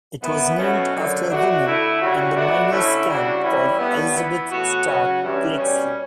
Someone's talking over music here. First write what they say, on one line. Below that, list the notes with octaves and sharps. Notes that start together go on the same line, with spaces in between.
It was named after a woman in the miners camp called Elizabeth Stark Blakesley.
F#2 E3 B3
B2 F#3 A3 C#4
F#2 D3 F#3
B2 A3 D4 F#4
D3 A3 E4
C#3 G3 C#4 F#4
B2 A3 D4 F#4
D3 A3 C#4 E4
C#3 G3 D4 F#4
E3 G3 C#4 E4
A2 G3 B3
E3 B3 E4
A2 E3 B3 F#4
C#3 F#3 C#4 F#4
G2 E3 G3 C#4
B2 G3 C#4